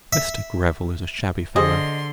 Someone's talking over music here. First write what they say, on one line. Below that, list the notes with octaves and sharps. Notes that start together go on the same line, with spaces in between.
Mr. Greville is a shabby fellow!
E5
D3 G4 G#4 C5 D#5 C6